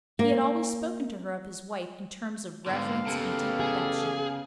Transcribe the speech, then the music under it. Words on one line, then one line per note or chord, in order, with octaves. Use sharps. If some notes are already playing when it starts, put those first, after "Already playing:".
He had always spoken to her of his wife in terms of reverence and deep affection.
A#3
G#2 D3 B3 F5
A1 C#3 A#3 G4 A4
G#4